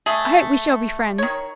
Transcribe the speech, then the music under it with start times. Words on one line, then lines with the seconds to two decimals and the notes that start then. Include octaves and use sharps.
I hope we shall be friends.
0.06 A3 G#4
1.18 D#3 C#5